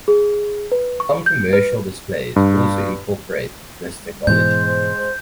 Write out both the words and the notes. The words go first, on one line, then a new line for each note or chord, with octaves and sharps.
Some commercial displays also incorporate this technology.
G#4
B4
C#6
G6
B4
G2
G#2 B2 E3 G#3 C5 G6